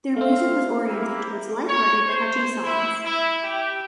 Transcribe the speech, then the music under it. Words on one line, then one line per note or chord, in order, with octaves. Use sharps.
Their music was oriented towards lighthearted, catchy songs.
A3 C4 F5
A#3 E4 G4
C#5
C5
E4
E4
G4